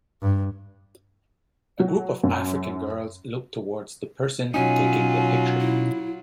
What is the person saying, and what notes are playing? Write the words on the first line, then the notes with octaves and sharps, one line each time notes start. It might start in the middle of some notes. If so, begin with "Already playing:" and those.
A group of African girls look toward the person taking their picture.
G2
F#3
F#2
B2 F#3 C#4 D#4 F4 G#5
E4